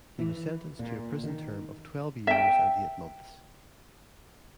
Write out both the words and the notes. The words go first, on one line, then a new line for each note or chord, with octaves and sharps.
He was sentenced to a prison term of twelve years and eight months.
E3
A#2
D#3
E5 G5